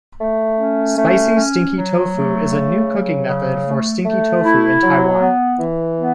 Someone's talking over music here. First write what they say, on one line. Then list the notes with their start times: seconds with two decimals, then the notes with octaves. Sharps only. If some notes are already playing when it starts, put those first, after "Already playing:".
Spicy stinky tofu is a new cooking method for stinky tofu in Taiwan.
0.20 A3
0.59 C#4
0.97 A3
1.36 C#4
1.74 F#3
2.13 A3
2.51 C#3
2.90 F#3
3.28 C#3
3.67 A3
4.05 A3
4.44 E4
4.83 F#3
5.21 B3
5.59 E3
5.97 B3